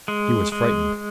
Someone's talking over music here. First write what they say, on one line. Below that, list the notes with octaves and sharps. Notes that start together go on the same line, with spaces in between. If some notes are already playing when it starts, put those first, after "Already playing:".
He was frightened.
G#3
G#3